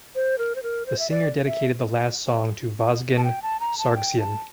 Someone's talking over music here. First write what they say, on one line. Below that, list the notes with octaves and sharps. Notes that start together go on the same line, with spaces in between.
The singer dedicated the last song to Vazgen Sargsyan.
C5
A#4
C5
A#4
C5
E5
D5
E5
A5
G5
A5
A#5
A5
G5
A5